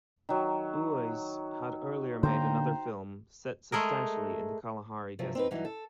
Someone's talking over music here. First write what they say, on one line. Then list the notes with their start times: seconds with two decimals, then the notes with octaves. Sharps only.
Uys had earlier made another film set substantially in the Kalahari Desert.
0.29 D#3 F#3
2.23 D3 A#3 C5 G5 A#5
3.72 G#3 A3 G#4 A#4
5.19 C3 F3 F#3
5.35 C4 D#4 B4
5.51 G2 E3 F#3 D#4
5.65 A4